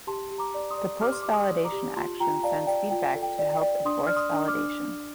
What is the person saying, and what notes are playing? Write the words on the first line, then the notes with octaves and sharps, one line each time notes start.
The Post-validation action sends feedback to help enforce validation.
G4 A5 C6
G4
A#5 D6
D5
C6 D#6
D5
G4 D6 F6
C6
G4 D6
C6 D#6
D5
A#5 D6
G4
F4 A5 C6
F4 G5 A#5
D5 F5 A5
D5 G5
F4 G5
A4
G5
D5
G5
D5
D4 C6 D#6
D5 F6
C6 D#6
D4
D6 F6
D4
D4